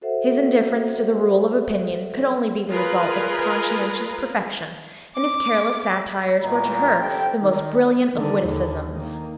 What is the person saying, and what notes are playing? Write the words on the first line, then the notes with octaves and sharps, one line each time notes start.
His indifference to the rule of opinion could only be the result of conscious perfection, and his careless satires were to her the most brilliant of witticisms.
F#4 A4 C5 E5 F#5
F4 G#4 A#4 B4
D6
A#2 D#3 E3 F4 D#5 A#5
C2 G4 A4 C5 G5
D#3
D3 D#3
D#2 D3
D#3 A#3